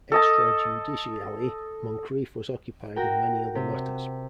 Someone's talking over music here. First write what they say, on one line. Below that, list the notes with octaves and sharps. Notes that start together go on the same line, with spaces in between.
Extrajudicially Moncreiff was occupied in many other matters.
A4 D#5 A5
F#4 A#4 G5
C3